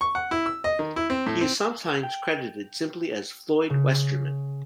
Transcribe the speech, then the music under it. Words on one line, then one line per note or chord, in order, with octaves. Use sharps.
He is sometimes credited simply as Floyd Westerman.
C#6
F#5
E4
E6
D#5
D#3
E4
C4
A2
C4
G5
C#3